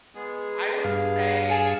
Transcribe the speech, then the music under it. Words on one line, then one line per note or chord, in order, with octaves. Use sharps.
I would say,
G#3 B3 G#4
G2 F5
G#4 A5